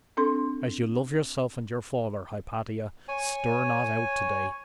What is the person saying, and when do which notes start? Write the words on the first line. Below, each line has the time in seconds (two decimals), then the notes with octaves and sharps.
As you love yourself and your father, Hypatia, stir not out to-day.'
0.17 C4 D4 A4 C6
3.08 C#5 G#5